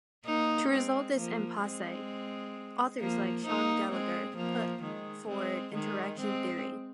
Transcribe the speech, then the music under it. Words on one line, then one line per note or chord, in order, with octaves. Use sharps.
To resolve this impasse, authors like Shaun Gallagher put forward interaction theory.
A#3 D#4
G#3 C4
F3 A#3
G#3 C4
F3 A#3
A#3 D#4
G#3 C4
F3 A#3
D#3 G#3
G#3 C4
D#3 G#3
G#3 C4